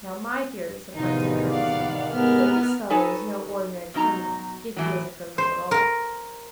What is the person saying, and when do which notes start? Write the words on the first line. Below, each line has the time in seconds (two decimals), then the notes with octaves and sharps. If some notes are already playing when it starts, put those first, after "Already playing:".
Now my theory," said Whiteside earnestly, "is that this fellow is no ordinary criminal, if he is a criminal at all.
0.95 E2 A2 C3 D#3 F3 D#4 F4
1.50 D5 F5 F#5
2.13 D#2 G#2 B3 A#4 F6
2.90 D#4 A4 B4 C#5 G#5
3.94 B2 F#3 D#4 A#5
4.77 A2 E3 F#3
5.38 C5
5.71 A#4